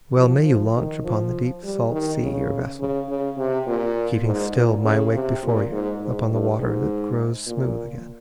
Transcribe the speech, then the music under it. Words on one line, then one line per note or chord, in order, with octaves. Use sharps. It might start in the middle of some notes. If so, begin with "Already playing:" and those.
Well may you launch upon the deep salt-sea Your vessel, keeping still my wake before you Upon the water that grows smooth again.
F3
F3
D#3
F3
G3
D#3
C#3
C#3
C#3
C3
A#2
G#2
A#2
C#3
C3
A#2
G#2
G#2
G2
G#2
A#2